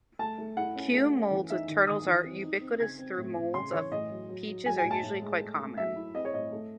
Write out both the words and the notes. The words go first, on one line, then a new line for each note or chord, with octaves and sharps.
Kue moulds with turtles are ubiquitous, though moulds of peaches are usually quite common.
A3 A5
A3
E4 F#5
C#4
A3
C#4
E3
D#4 E5
D#3
D#3 D#6
E3
C4
D#4
C4
C#3 G#6
C4
A2
A2
C#3 C6
E3 C#5
A2 D#5
F#3
F#3
F#3
F#3 G#5
G#5
A2
A5
A2
G#3
A3
A3
F#3 E5
E4
C4 D#5
C#5
A2 D#5
A3